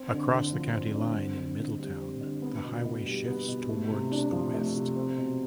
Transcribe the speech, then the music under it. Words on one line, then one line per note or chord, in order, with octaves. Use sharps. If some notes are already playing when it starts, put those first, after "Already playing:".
Across the county line in Middletown, the highway shifts towards the west.
Already playing: C4
D3
D3
F3
C4
D3
C4
D3
D3
G3
C4
D3
B3
B2
B2
G3
B3
B2
A3
C3
D4
F3
A3
C3
C4
B2